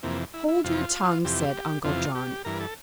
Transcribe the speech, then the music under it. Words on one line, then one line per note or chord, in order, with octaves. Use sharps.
"Hold your tongue," said Uncle John.
F2 C3 E3 A#3
E4
E4
F2 C3 E3 F4
F2 C3 E3 G4
F2 C3 E3 F4
G4
G2 E3 A#4
A4